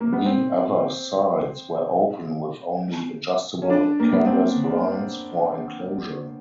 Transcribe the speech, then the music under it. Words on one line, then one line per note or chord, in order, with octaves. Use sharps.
The other sides were open with only adjustable canvas blinds for enclosure.
A#3
B3
C4
C#4
D4
A#3
B3
C4